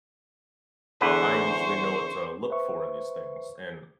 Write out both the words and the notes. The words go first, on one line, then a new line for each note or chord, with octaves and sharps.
I usually know what to look for in these things. And
E2 D3 B4 C5 C#6
B4 C5 E5 C#6